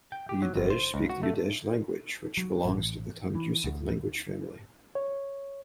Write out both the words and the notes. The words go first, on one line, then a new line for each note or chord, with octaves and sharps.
The Udege speak the Udege language, which belongs to the Tungusic language family.
G5
G4
F#3
G1
C5
C#2
F#4
A3
F#3
A1
E3
D2
C#5